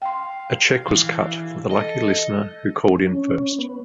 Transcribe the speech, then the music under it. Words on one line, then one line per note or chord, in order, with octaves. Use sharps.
A check was cut for the lucky listener who called in first.
F5 G5 C6
E3
A4 D#5
C#4
B3